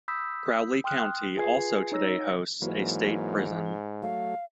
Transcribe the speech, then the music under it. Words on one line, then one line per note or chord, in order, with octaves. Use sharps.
Crowley County also today hosts a state prison.
B5 D#6 E6 G6 B6
G5 C6 D#6 F6 F#6
F4 G#4 B4 G#5 G#6 C7
D#4 C#5 E6 A#6
G#2 E3 F#3 A#3
F#3 A3 F5